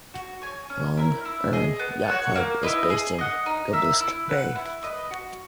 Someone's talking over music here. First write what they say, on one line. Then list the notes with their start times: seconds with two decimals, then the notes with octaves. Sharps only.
Lough Erne Yacht Club is based in Gublusk Bay.
0.14 F#4
0.42 C#5 G#5
0.70 C#4
0.97 E4 A#4
1.25 E4
1.53 G#4 D#5
1.79 B3
2.08 F#4 C#5 F#5
2.35 A#3
2.63 E4 B4 D#5
2.90 G#4
3.18 D#5 F#5
3.46 D#4
3.73 A#4 E5
4.01 E4
4.29 B4 F#5
4.56 E4
4.83 B4 D#5
5.11 F#4